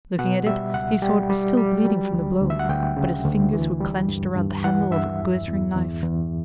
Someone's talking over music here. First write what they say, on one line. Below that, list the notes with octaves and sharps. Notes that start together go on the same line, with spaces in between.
Looking at it, he saw it was still bleeding from the blow, but his fingers were clenched around the handle of a glittering knife.
B2 F#5
G3 E5
C#2 F#5
G3 G5
G3
G3
F#3
D2
D2
E5
F#5
D2 G5
C#3
D2
E3
G3
G2
G2
E3 F#5
G2 E5
E2
E2
E2
E2